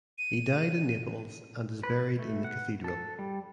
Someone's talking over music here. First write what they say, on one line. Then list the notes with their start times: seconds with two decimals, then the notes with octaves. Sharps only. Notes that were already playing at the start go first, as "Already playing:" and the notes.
He died in Naples and is buried in the Cathedral.
0.18 D#7
1.83 B4
2.19 A3
2.44 F#5
2.84 A4
3.19 G3